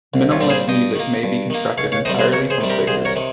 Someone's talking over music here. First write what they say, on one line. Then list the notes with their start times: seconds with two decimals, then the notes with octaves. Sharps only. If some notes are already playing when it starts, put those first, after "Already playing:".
Minimalist music may be constructed entirely from figures.
0.14 C2
0.31 C#4 F4
0.41 A#2 G3 C4
0.50 G#4 C5
0.68 G2 D#5 G5
0.95 D#3 A#3
1.24 G2
1.50 D#3 A#3
1.78 C#2 C#5 F5
1.92 C#5 F5
2.05 C3 D#3 G3 C5 D#5
2.19 G#4 C5
2.32 C#2 A#4 C#5
2.50 G#4 C5
2.61 C3 D#3 G3
2.70 G4 A#4
2.87 C2 G#4 C5
3.05 A#4 C#5
3.15 C3 D#3